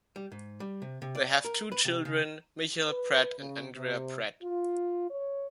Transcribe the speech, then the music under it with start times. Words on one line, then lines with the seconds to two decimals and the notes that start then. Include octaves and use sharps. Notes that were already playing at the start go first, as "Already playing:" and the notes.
They have two children, Michael Pratt and Andrea Pratt.
0.16 G3
0.32 G#2
0.60 G3
0.82 C3
1.02 C3
1.15 D5
1.45 A#4
1.72 B4
1.85 C3
2.05 C#3
2.88 B4
3.38 C#3
3.75 C3
4.42 F4
5.10 C#5